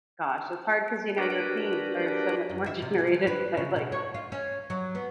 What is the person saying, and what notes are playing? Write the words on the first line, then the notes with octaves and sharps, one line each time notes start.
gosh, it's hard 'cause, you know, your feeds are so much more generated by, like,
D4 F#4 G4 A#4 B4 D5
F#2
E5
C3
D5
B4
C#3
B2
C#5
F4
C#4
F#3
B3